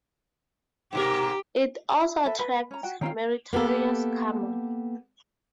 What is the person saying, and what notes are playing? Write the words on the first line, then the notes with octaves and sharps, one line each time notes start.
It also attracts meritorious karma.
G#2 B2 G4 A#4
A4 B4 E5
B4 B5
C#4 A#5
F#4 F#5 G5
D#3 C4 C#4 F4 G5 A#5
A#3 B3 G4 A4